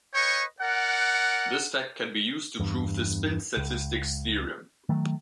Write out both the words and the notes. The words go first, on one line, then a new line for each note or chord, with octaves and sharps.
This fact can be used to prove the spin-statistics theorem.
B4 C#5 D#5 G5 C#6
A#4 D5 F#5
E2 G2
C#2
D#3 F#3 A3